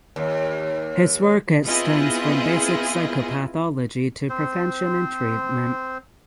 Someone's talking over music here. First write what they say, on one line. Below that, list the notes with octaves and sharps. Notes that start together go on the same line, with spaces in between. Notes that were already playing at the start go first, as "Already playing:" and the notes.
His work extends from basic psychopathology to prevention and treatment.
D#2
B3 C4 E4 F4 G#4 D#5
C4 C5